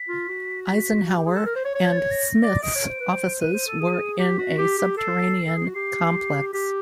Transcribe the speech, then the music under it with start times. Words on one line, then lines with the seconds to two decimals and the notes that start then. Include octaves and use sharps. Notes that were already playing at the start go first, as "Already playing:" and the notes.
Eisenhower and Smith's offices were in a subterranean complex.
Already playing: B6
0.09 F4
0.28 F#4
0.67 B6
1.07 F#4
1.16 G4
1.26 G#4
1.35 A4
1.46 A#4
1.55 C5
1.65 C#5
1.75 C#5
1.85 G#6
1.92 A6
1.97 G#6
2.11 A#6
2.43 D5
2.62 D#5 D7
2.75 C#5
2.89 C5
3.00 B4
3.10 C5
3.41 B4 D#7
3.53 C5
3.67 A4
3.80 G#4
4.19 G4 B6
4.38 F#4
4.58 G4
4.78 G4
4.97 A4 C7
5.47 A4
5.56 G#4
5.66 F#4
5.75 G4 C7
6.53 G4 B6